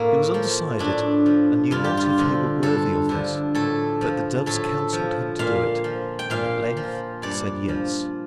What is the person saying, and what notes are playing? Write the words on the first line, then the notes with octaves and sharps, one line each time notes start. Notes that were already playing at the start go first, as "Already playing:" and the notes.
He was undecided, and knew not if he were worthy of this, but the doves counselled him to do it, and at length he said yes.
Already playing: A2 A#3
F3
A2 D4
F3
G2 F4
G4
F4
D3 F3
G2 A4
D3 F3
A2 A4
F3
A2 A4
F3
A#2 F5
F3
G5
A#2 F5
F3
G2 D5
F3